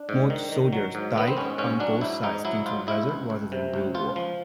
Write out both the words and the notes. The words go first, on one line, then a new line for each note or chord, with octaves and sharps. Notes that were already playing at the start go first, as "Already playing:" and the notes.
More soldiers died on both sides due to weather, rather than real war.
Already playing: D4
G#2
D#3
D#3
F#3
G#2
D#3 B3
C4
G#2 C#4
G#2 C#4
F#3 D4
G#2 E4
G#2 D#4
F#3 E4
G#2 F4
G#2 E4
C#2
C#2
C3
C#2
C#2 F4
F3